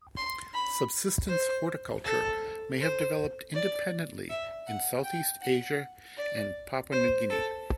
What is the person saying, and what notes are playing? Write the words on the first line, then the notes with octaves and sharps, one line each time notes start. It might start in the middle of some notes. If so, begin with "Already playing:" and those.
Subsistence horticulture may have developed independently in South East Asia and Papua New Guinea.
C6
B5
C5
A4
C5
D5
E5
F#5
G5
F#5
D5
C5
A4